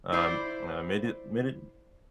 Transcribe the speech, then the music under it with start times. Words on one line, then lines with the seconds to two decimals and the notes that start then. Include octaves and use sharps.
um, uh, made it made it
0.12 E4 C5 D5